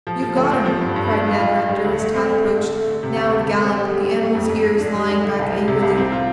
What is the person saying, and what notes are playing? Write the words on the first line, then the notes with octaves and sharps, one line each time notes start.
"You've got him!" cried Ned Rector as Tad approached, now at a gallop, the animal's ears lying back angrily.
F3
F3
D2
C4
F3
G2
G2
D4
F4
F4
F4
G3
D2
A3
C4
A3
A3
D3
A3
D3
C3
D2
D2
D2
C4
G4
G3
G4
A3
F2
F2
F2
D4
G3
D4
D3
C2
G3
C3
C2
C4
F4